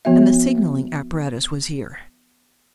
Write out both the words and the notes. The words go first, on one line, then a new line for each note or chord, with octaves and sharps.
And the signaling apparatus was here!
F3 B3 F#4 E5